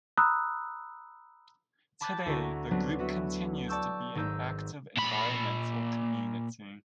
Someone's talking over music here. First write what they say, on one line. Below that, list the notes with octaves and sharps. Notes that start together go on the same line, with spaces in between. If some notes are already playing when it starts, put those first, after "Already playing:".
Today the group continues to be an active environmental community.
A#5 B5 D#6 E6 F#6
A5 B5 D6 F#6 G6 A6
D2 E4 F#4 A#5
F#3 G3 B3 C4 D4
B3 F#4 E5
D5 A5 C#6 E6 G6
G#1 D#4 E6 G6
A#2 B5